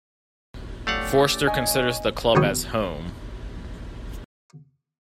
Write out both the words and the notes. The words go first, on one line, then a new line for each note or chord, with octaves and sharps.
Forster considers the club as "home".
A3 C#4 G4 D5 F5 F#5
D4 C#5 D#5 G#5
A#1 D#2 B2 G3 C#5 D#6